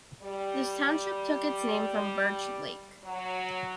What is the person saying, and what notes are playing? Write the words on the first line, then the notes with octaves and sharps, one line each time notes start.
This township took its name from Birch Lake.
G3
F#3